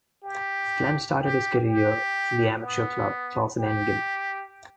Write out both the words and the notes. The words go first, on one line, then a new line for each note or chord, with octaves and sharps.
Flem started his career in the amateur club Clausenengen.
G4
G4
G4
B3
G4